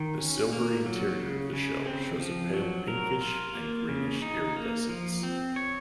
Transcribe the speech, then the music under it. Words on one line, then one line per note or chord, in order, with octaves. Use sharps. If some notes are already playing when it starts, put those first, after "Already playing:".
The silvery interior of the shell shows a pale pinkish and greenish iridescence.
Already playing: D#3
C#4
A#3
F#3
C#3
C#3
C4
F3
F#3
A#4
F4
A#3
C#3
D#4
A#3
F3
C4
C#5